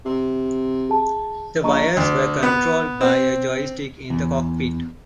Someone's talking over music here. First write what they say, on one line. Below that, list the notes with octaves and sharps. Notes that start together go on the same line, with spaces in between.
The wires were controlled by a joystick in the cockpit.
C3
G#4 A5
A#1 D#5 A#5 C#6
D2
B3
C4
E2